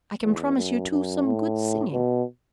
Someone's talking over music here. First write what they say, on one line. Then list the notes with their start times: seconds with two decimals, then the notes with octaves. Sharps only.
I can promise you, too, some good singing.
0.22 E2
0.57 F#2
0.91 F#2
1.24 A2
1.93 B2